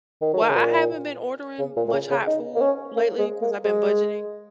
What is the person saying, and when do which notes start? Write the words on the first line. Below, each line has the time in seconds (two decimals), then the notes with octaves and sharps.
well, I haven't been ordering much hot food lately 'cause I've been budgeting,
0.21 D#3
0.34 F#3
0.41 D#3
0.49 C#3
0.55 A#2
1.59 C#3
1.76 A#2
1.88 A#2
1.93 C#3
2.10 C#3
2.27 D#4
2.55 A#3
2.61 C#4
2.96 A#3
3.18 G#3
3.42 A#3
3.64 G#3